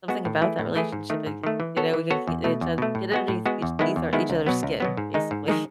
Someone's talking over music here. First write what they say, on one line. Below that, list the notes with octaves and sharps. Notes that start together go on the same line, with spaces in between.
something about that relationship, like, you know, we can k each other get underneath each eth each other's skin, basically.
G#3 B3 F#4
A2
E3 A3 E4 G#4
A2
E3 A3 E4 G#4
G#2
D#3 A3
G#2
D#3 A3
E3
B3 F#4 A4 C#5
E3
B3 F#4 A4 C#5
E2
B2 A3
E2
B2 A3
A2
G#3 B3 F#4
A2
G#3 B3 F#4
E2
D#3 G#3 B3 E4
E2
D#3 G#3 B3 E4
C#2
B2 F#3 B3
C#2
B2 F#3 B3
G#2
D#3 G#3 D#4
G#2
D#3 G#3 D#4